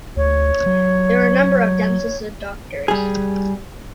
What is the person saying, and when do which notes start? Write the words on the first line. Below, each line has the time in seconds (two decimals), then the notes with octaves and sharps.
There were a number of dentists and doctors.
0.17 D2 C#5
0.66 F#3
2.88 G3 G#4